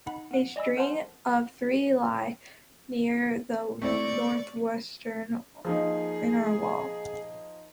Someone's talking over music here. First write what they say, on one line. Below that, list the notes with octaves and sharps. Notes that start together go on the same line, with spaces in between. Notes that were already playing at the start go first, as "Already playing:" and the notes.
A string of three lie near the northwestern inner wall.
D#4 F#5 B5
B3 F#5
D5 D#5 G#5 B5 E6
A#4 C5 F#5 G#5 A5 C6
A3 C4 E4 D5 C#6
F3 A#3 D#4 G#4